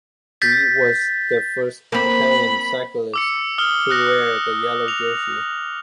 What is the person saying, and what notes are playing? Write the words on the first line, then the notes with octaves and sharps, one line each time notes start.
He was the first Italian cyclist to wear the yellow jersey.
G6 A6 B6
A#3 C4 B5
D6 E6 C#7
D#6 F6 G7
D#6 F#6 A#6
F7